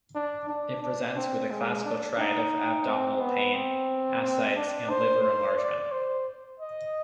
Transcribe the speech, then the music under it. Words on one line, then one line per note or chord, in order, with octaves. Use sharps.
It presents with a "classical triad" of abdominal pain, ascites, and liver enlargement.
D4
D4
D4
C4
G#3
D4
D#4
C4
B3
C4
C4
D4
C5
C5
D5
C5
D#5